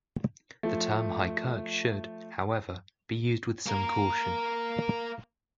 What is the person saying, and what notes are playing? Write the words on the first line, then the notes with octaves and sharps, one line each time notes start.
The term High Kirk should, however, be used with some caution.
F3 A3
A#3 A#4